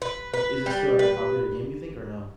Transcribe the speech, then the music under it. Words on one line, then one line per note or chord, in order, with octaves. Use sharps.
Is this still, like, a popular game, you think, or no?
B4
B4
G3
B4